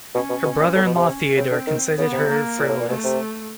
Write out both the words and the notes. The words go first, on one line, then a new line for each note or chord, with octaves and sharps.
Her brother-in-law Theodore considered her frivolous.
B2 C#4
B2
B2
A#2
A2 B3
B2
C3
C#4
C#3 C4
D3
D#3
C#3 B3
C3
A#3
A#2
A2
A#2
B2 A3
C3